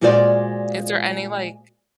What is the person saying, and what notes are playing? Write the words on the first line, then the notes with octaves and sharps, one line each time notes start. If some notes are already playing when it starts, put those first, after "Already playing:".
Is there any, like
A#2 G#3 F4 F#4 C5 D5